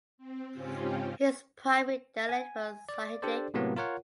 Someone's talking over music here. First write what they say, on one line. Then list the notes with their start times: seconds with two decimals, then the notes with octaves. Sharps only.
His primary dialect was Sahidic.
0.18 C4
0.53 G#2 C#3 C4 C#4 F4 G4
2.29 G#5
2.89 D5
3.22 D4 G4 A4 C5 D5
3.54 A2 C3 F#3 A#3 B3
3.76 F4 A#4 C#5 F#5